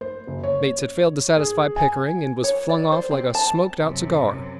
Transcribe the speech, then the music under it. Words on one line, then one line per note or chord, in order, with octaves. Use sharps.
Bates had failed to satisfy Pickering and was flung off like a smoked-out cigar.
C5
F#1
C#5
G#4
G#5
C#5
D5
C5
C4
A5
F#2 C3